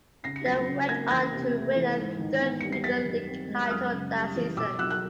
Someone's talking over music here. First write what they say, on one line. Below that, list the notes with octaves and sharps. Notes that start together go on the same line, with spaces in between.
They went on to win a third Midland League title that season.
C#3 A#6 C7
C#7
F#3 A#6 C7
C#3
A#3 G#6 A#6
E2 G#6 A#6
C3
A3
E3
G#2
D#3
B3
G3 C#7
C7
F#2 A6 B6
D#3
C4
G#3
F#6
F#2 D#6 F6
C#3
G3
E3
B2 D6 E6
F#3 E6 F#6
F#6